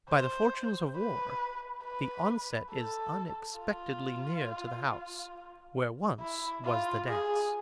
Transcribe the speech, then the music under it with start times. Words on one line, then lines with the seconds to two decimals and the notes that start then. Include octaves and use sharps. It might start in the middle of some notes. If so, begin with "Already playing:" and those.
By the fortunes of war the onset is unexpectedly near to the house where once was the dance.
0.09 C5
0.97 B4
1.84 B4
2.71 A4
3.59 F4
6.21 E4
6.65 F4
7.09 G#4